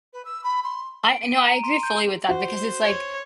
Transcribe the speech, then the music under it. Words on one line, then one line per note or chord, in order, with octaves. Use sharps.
I I know, I agree fully with that because it's, like,
B4
E6
B5
C6
D7
D#7
A#5
C6
G6
F#4 C5
C#5